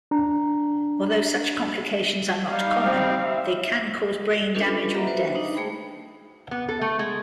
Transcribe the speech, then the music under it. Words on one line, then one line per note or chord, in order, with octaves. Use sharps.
Although such complications are not common, they can cause brain damage or death.
D4 A#5
G3 D#4 F5
C4
E5
C#4 D4 F4 G4 A4 B4
F#3 A#3 D#5 E5 A#5 B5
F#4 B4 C5 D#5 E5
D4 D#4
G#3 A3 G#4 C5 G5 B5
B3
A4
A3
G#3